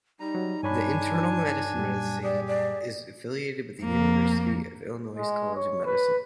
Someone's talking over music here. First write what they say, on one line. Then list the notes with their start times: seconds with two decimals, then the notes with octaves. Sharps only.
The internal medicine residency is affiliated with the University of Illinois College of Medicine.
0.20 G3 D#4 A#5
0.35 F#3
0.63 G2 D4 C#5 G#5 B5
1.75 F#2 A#2 G3
2.23 G4 G#4 D5
2.48 D5
3.82 F2 A#3
5.17 G#3
5.55 C#5
5.85 B4